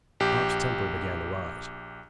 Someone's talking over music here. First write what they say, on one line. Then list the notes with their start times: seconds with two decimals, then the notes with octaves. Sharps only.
Bob's temper began to rise.
0.20 A#1 G4